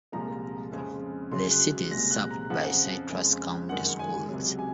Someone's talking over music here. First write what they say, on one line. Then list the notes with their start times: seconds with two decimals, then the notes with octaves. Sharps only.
The city is served by Citrus County Schools.
0.12 C2 A#2 F3 G#3 A#5
0.72 F2 C#3 G#3
1.32 C#2 C#3 F#3 C6
1.51 F#6
1.91 C2 A#2 G#3 A#6
2.11 F#6
2.31 A#5
2.50 F2 C#3 F3 F#5
3.10 F2 C#3 G#3
3.69 F#2 D#3 G#3 F#5
3.99 G#5
4.28 C#2 C3 F#3
4.59 G#5